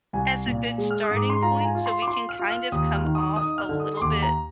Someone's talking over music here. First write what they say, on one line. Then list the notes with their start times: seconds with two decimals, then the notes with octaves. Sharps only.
as a good starting point, so we can kind of come off a little bit
0.13 C2 G#5
0.46 A#2
0.78 G#3
0.91 F6
1.03 D#6
1.11 G#2
1.17 D6
1.30 C6
1.43 F4 A#5
1.60 A#5
1.65 G#5
1.75 F4
1.86 C6
2.02 D6
2.07 F4 C6
2.29 F6
2.39 F4
2.50 F6
2.72 D#2 D#6
2.94 F6
3.04 D#3
3.15 D#6
3.36 D#4 D#6
3.58 F6
3.69 D3
3.80 D#6
3.97 C6
4.01 D#2 D6
4.22 A#5